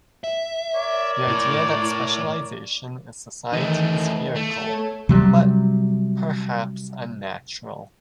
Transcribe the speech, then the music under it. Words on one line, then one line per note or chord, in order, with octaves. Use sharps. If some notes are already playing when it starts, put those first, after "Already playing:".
The idea that specialization is society's vehicle, but perhaps unnatural.
E5
A#4 C#5 D5
A2 E4
D#3 E3 A3 D#4
A3
A4 C#5
C3 F#3 G3